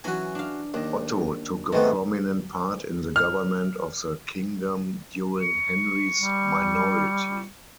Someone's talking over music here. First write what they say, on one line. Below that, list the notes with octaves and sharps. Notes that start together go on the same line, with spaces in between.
Otto took a prominent part in the government of the kingdom during Henry's minority.
E3 F#3 C#4 F#4 G#5
D4 F5
D#2 D4 D#5
G#2 C3 D#3 G3 A3 B3 B4 D#5
F6
C#6
G3